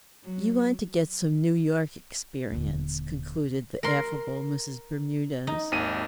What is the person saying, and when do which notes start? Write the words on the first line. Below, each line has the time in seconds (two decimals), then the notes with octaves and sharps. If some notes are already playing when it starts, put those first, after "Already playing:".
"You want to get some New York experience," concluded the affable Mrs. Bermudez.
0.24 F#3
2.52 D#1 D3
3.83 A#4 C6
5.47 D#4
5.72 G#1 D#2 D#7